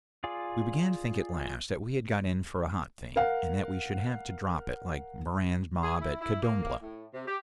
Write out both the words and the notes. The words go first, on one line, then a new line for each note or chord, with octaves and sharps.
We began to think at last that we had got in for a hot thing, and that we should have to drop it like Moran's mob at Kadombla.
F4 G#4 D5
A#4 F5 F#5
G#4
E4
E4
A#3
A#3
A2
C3
G4